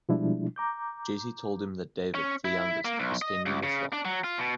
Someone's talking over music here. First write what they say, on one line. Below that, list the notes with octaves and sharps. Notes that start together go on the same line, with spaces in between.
Jesse told him that David the youngest was tending the flock.
B2 F3 G3 G#3 D4 E4
A#5 D6 G6
C#4
E4
A#3
B1
D#5
C#2
C#3
D4
F#3
F4
B2